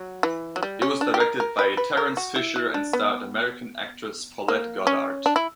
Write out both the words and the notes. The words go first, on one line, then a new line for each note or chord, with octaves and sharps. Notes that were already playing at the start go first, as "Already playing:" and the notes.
It was directed by Terence Fisher and starred American actress Paulette Goddard.
Already playing: F#3
E3
F#3
G3
C#4
D4
G4
A#4
A#4
B4
B4
A#4
F#4
E4
E4
D4
B3
A#3
C#4
D4
E4